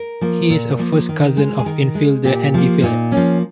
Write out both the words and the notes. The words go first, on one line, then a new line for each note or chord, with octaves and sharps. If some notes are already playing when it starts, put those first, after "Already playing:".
He is a first cousin of infielder Andy Phillips.
Already playing: A#4
F3 A#3
A#2
F3 A#3
D#3
G#3
G#4
D#3 A#4
G#3
A#2 G4
F3 A#3
A#2 D#4
F3 A#3 C#4